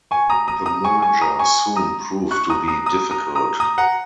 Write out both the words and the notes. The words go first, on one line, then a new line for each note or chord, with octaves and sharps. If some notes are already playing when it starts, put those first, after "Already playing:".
The merger soon proved to be difficult.
G#5 C#6
A#5 D#6
A#5 D#6
A#5 D#6
G#5 C#6
G#5 C#6
A#5 D#6
G#5 C#6
A#5 D#6
C#6 F#6
A#5 D#6
A#5 D#6
A#5 D#6
A#5 D#6
A#5 D#6
A#5 D#6
F#5 A#5